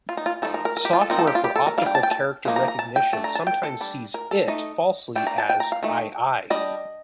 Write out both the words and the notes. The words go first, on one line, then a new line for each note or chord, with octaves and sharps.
Software for optical character recognition sometimes sees it falsely as "ii".
F4
D#4
F4
F3 A3 D#4 A4
A#4
A#4
A#4
G4
F4
A4
F3 C4 D#4 A#4
A4
G4
F4
G4
A4
A#4
G3 D4 F5 G5
A5
G5
A5
F3 A#3 D#4
A#5
A#5
A5
G5
A3 D4 A5
A#5
A5
G5
A4
G3 D4
A#4
A4
A3 D#4 D#5
A3 D4 G5
A#5
A5
G5
A#5
F5
D#3 A3
G3 D4 D#5